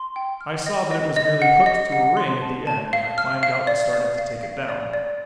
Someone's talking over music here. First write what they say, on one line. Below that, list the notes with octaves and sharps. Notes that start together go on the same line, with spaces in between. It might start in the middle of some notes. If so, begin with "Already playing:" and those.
I saw that it was merely hooked to a ring at the end, and I climbed out and started to take it down.
Already playing: C6
G5
F6
D#5
D#5
D#5
F#5
D#5
F#5
C6
A5
A5
F5
F6
F5
D5
D5
F5
F5
D5
D5